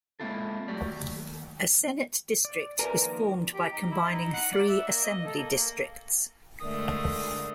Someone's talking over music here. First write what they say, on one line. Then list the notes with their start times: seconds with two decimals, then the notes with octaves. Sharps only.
A Senate district is formed by combining three Assembly districts.
0.20 G#3 A#3 C4 E4 F4 A4
0.68 F#3 A3 F#4 G4 D5
0.89 D#2
2.45 D5
2.79 A#4 B4 D5 E5 G#5 A#5
2.93 D#3 F3 A#3
3.54 G4
3.73 D#4
3.91 E4
4.12 D#4
4.34 F#5
4.53 D5
4.69 E5
4.87 A#3
5.04 D#5
5.26 A4
5.37 A#3
5.57 A#3
6.61 D3 G#3 A3 A#4 D5 E5 D#6